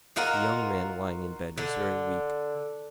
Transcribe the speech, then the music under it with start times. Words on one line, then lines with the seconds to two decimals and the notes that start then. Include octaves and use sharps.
The young man lying in bed was very weak.
0.16 D#4 F4 F#4 A#4
1.58 D3